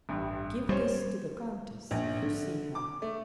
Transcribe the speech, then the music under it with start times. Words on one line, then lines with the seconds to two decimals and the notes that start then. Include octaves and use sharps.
"Give this to the countess... if you see her."
0.09 A1 G2
0.69 G3 C#4 C5 C#5
1.91 A#1
2.22 D3
2.75 D6
3.02 A3